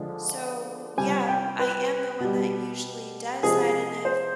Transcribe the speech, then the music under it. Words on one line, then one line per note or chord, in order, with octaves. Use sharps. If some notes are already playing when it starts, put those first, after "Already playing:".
So, yeah, I am the one that usually does that, and have
Already playing: D3 F3 G#3
C3 G3 G#5
G5
B4
B2 G3
C3 F3 G#3 G#4
C5